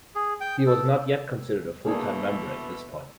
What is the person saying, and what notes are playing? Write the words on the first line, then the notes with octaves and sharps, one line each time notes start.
He was not yet considered a full-time member at this point.
G#4
G5
A4
B2 E3 A3 A#3 D4 G#4